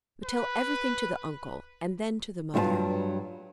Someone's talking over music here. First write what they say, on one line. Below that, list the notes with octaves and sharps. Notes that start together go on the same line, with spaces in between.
But tell everything to the uncle, and then to the mother.
B4
G2 F#3 E4 F4 B4 A5